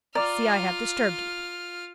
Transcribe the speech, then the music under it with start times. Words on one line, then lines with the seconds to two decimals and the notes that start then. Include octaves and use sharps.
I see I have disturbed you.
0.15 F4 D5 A#5 D6 F6